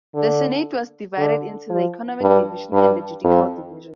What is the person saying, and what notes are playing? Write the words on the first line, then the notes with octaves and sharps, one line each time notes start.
The Senate was divided into the economic division and the judicial division.
D3
D3
F3
G2
G2
F2